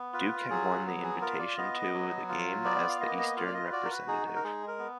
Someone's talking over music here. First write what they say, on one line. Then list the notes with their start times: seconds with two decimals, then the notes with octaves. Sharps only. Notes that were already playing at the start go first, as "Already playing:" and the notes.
Duke had won the invitation to the game as the eastern representative.
Already playing: B3
0.13 F4 B4
0.50 F#3 G#4
0.86 B3
1.03 G#4
1.21 F4 A#4
1.39 D5
1.57 B3 D#5
1.93 F#3
2.29 F4
2.64 B3 D5
2.89 F5
3.00 A#3 D#5
3.19 D#5
3.36 F4 F5
3.47 D5
3.54 D#5
3.65 B4
3.72 F#4 D5
3.85 A#4
3.90 B4
4.07 D#4 G#4
4.26 F#4
4.35 A#4
4.44 G#3 G#4
4.68 A#4
4.79 B3